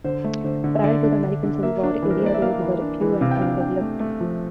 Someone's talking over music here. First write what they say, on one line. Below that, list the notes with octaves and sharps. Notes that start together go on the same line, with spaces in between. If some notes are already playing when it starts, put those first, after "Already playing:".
Prior to the American Civil War, area roads were few and undeveloped.
D3 C5
A3
D3 C5
D3
E5
D3 D5
D4
D3
D3
A#3 E5
D4
E3
A#4
C5
A#3 D5
E5
A#3 F5
E3
D4
E3
C3 F5
G5
D4 F5
D4 G5
A3
A3
F3